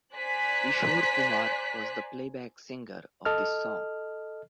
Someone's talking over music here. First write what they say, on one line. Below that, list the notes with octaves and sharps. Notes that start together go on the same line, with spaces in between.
Kishore Kumar was the playback singer of this song.
C5 D5 G#5 A#5 F#6 B6
A4 D#5 F6